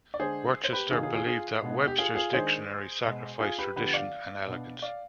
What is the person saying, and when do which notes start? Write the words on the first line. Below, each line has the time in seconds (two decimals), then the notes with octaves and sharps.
Worcester believed that Webster's dictionary sacrificed tradition and elegance.
0.14 D5
0.20 D3 G#3 D4 G#4 C5
0.64 C5
0.73 G4 B4
0.91 C3 D#3 B3 D#4 F4 G#4
1.03 F4 G#4
1.15 F4 G#4
1.27 F4 G#4
1.62 B2 G#3 B3 D4
1.87 G4
1.98 F4 G#4
2.15 F4 G#4
2.33 D#3 G#3 D4 G#4 C5
3.05 B2 G#3 B3
3.40 F4 G#4
3.58 G4 B4
3.76 D3 F3 B3 D4 G4 B4
3.94 D5 F5
4.47 B2 B3 D4
4.82 D5 F5